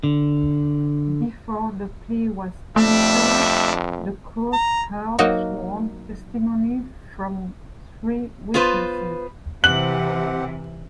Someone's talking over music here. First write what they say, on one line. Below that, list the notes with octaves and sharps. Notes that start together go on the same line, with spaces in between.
Before the plea was entered, the court heard sworn testimony from three witnesses.
D3
F2 G3 A3 D4 E5
A#5
F#3 A#3 D#4 F#4
B3 F4 B4 C5
C3 E3 C4 G4 F#5 F#6 F#7